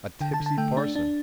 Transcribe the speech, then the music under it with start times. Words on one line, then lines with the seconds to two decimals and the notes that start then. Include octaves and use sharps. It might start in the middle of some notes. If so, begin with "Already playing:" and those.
"A tipsy parson."
0.21 D3 G5
0.34 A5
0.40 D3
0.46 A5
0.58 A3 G5
0.77 D4
0.96 D4